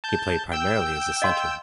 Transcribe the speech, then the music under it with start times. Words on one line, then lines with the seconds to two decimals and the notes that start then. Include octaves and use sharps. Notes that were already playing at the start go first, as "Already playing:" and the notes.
He played primarily as a centre.
0.04 A5 G6
0.52 G5 E6 G6
1.22 D#5 F5 C6